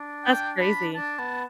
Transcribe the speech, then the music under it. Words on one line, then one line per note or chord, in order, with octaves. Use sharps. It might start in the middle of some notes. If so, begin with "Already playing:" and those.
That's crazy.
Already playing: D4
G5
B5
D4 A5
B3